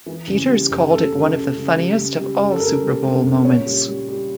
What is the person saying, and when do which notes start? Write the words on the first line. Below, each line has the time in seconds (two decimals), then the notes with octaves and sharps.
Peters called it one of the funniest of all Super Bowl moments.
0.06 E3
0.28 C#3
0.49 G3
0.71 C#3
0.91 C#3 A4
1.12 C#3
1.34 C#3
1.55 C#3
1.75 G3
1.97 C#3
2.18 G3
2.39 C#3
2.51 A4
2.60 C#3 A#4
2.81 G3
3.02 C#3
3.23 C#3
3.45 A#2 C#5
3.66 G3
3.87 G3
4.08 G3